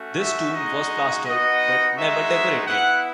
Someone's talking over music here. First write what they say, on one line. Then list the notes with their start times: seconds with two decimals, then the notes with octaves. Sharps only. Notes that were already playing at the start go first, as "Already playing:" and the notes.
This tomb was plastered, but never decorated.
Already playing: A3 C#4 F#4
0.17 E5
0.52 G#3 D#4 F#4 D#5
1.24 B3 D#4 F#4 D#5
1.95 G#3 D#4 F#4 E5
2.67 B3 E4 F#5